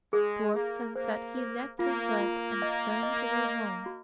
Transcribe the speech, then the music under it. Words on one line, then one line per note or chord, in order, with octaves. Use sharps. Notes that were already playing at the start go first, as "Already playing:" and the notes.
Towards sunset he left his work and turned to go home.
G#3 G#4
A#3 G#4
A#3 C5
C5
A#3 F4
F4
D#5
D#5
D#5
F#4